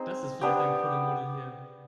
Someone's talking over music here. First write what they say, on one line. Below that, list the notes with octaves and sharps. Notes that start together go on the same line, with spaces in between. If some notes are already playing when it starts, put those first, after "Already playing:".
Das ist vielleicht ein Kuddelmuddel hier.
Already playing: C4 D#4 G#4 C5
B3 D4 G4